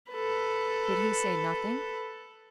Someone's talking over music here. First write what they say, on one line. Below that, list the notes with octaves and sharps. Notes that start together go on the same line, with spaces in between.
Did he say nothing?
A4 B4